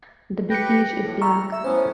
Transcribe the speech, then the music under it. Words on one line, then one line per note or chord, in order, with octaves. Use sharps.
The "Bekishe" is black.
G4 B4 G5 A#6 C#7
A2
A#5 C#6 E6 F6
E5 E6
A2 B3 C#4 C5